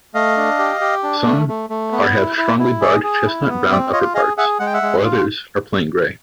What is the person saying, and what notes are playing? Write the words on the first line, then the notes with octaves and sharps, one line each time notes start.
Some are have strongly-barred chestnut-brown upperparts, while others are plain grey.
A3 D#5 F5
D4
G4
G4
D4
A3
A3
A3
B3
E4
E4
E4
G#4 D5 E5
G#4
E4
B3
C4 D5 E5
F4 C#5 D#5
G#4 D#5 F5
G#4 E5 F#5
G#3 F#5
G5
E5 F#5
G#3
F4